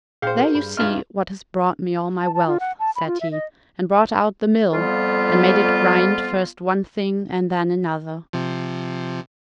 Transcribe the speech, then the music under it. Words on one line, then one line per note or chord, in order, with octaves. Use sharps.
"There you see what has brought me all my wealth!" said he, and brought out the mill, and made it grind first one thing and then another.
A#2 G#4 C5 F5 G5 G6 C#7
F#4 A4 A#4
G2 B5
G2 D#4 F4 E5 F6
A5
A5
F4
F#5
A5
B5
F4
E5
D#5
F2 G3 B3 F4
C3 F3